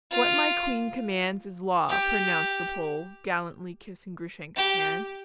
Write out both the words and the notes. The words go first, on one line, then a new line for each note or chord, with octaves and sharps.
"What my queen commands is law!" pronounced the Pole, gallantly kissing Grushenka's hand.
F4
G4
G4